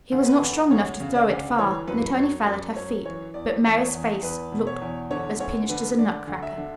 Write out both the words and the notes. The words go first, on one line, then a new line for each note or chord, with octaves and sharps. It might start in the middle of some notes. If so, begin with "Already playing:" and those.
He was not strong enough to throw it far and it only fell at her feet, but Mary's face looked as pinched as a nutcracker.
D2
B4
D2
D2 C#5
C#3
D5
D2
E3 C#5
F#2 B4
F#2 C#5
F#2 D5
F#2 C#5
E3 C#5
E2 D5
E2
C#5
E2
E2 B4
B2
C#5
E2
D3 C#5
D2 C#5
D3 B4
D3 D5
D2
E5
D3